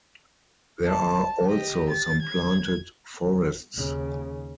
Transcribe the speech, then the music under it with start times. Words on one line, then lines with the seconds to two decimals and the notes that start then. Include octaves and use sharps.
There are also some planted forests.
0.87 A5
1.46 G4 D#5
1.90 A6
2.22 G#6
3.76 D#2 C#3